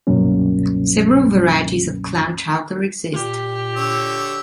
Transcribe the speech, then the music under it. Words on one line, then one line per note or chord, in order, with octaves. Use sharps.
Several varieties of clam chowder exist.
C#2 G2 B2 F#3 A#3 C#4
A#2 G4
D3 C#5 E6